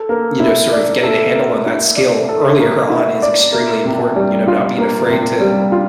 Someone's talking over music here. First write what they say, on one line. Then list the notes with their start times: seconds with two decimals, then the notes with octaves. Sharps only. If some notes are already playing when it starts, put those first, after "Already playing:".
you know, sort of getting a handle on that skill earlier on is extremely important, you know, not being afraid to
Already playing: A4
0.09 A#3
0.40 E4
0.72 D5
1.03 A4
1.34 A#3
1.66 E4
1.97 D5
2.29 A4
2.59 A#3
2.90 E4
3.22 D5
3.53 A#3
3.85 C3
4.16 G3
4.47 F4
4.78 A#3
5.10 C3
5.40 G3
5.72 F4